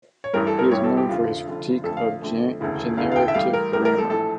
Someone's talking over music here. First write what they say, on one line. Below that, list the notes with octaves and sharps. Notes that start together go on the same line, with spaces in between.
He is known for his critique of generative grammar.
C#5
A1 G2 E3 G3 A#4
A4
A#4
A1 G2 E3 G3 C#5
A4
G4
F1 F2 D3 F4
F1 F2 D3
F2 D3 A3 A4
F5
F2 D3 A3
E1 D2 C#3 E3
E1 D2 C#3 E3 F5
F5
G5
E5
A1 A2 G3 F5
A#4
A1 A2 G3 A#4
A#4
A4
A#1 A2 E3 A4